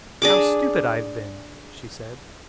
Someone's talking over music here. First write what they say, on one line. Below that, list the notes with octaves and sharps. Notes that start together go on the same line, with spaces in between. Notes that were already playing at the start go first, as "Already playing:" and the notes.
"How stupid I have been," she said.
D4 G#4 D6